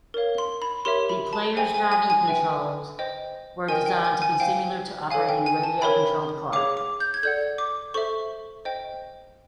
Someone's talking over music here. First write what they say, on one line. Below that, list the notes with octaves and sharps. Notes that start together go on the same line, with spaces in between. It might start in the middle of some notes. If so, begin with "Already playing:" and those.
The player's driving controls were designed to be similar to operating a radio-controlled car.
A#4 C#5 F5
C6
B5
G4 A#4 C#5 E5 C6
B5
A5
G#4 C5 E5 G5 G#5
G#5
G#5
G#5
B4 E5 G5
C5 D#5 G5
A#4 D#5 G5 G#5
G5
G#5
G#5
C5 F5 G5
A4 C#5 F5 G#5
G5
G#5
A5
A#4 C#5 E5 G5 B5
G#4 C#5 F5 D6
D6
G6
G#6
A4 D5 F#5 G6
D6
A4 C5 E5 C#6
C5 D#5 G5